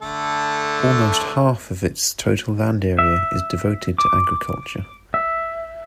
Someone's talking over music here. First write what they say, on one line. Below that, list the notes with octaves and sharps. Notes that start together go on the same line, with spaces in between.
Almost half of its total land area is devoted to agriculture.
D3 A3 A4
E5
D6
E5